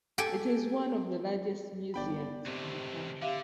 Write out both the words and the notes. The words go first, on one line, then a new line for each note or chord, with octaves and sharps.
It is one of the largest museums in the country.
G4 A4 G5 G#5
G1 D5 G5 B5
C#2 A2 C3
D3 G4 E5 F5